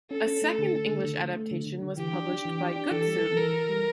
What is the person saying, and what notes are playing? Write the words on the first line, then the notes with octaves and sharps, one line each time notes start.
A second English adaptation was published by Gutsoon!
C#4 A4
C#4
A3
D3
A3
D3
D3
A3
A3
D3
D3
D3
E3 G4
D4
D4
E3
D4
D4
E3 A4
G3
E3
E3 A#4
E3
G3